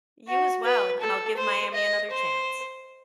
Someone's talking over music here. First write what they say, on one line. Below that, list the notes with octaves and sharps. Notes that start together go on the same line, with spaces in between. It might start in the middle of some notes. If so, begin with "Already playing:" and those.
You as well, and I'll give Miami another chance.
F#4
B4
A4
C5
D#5
C5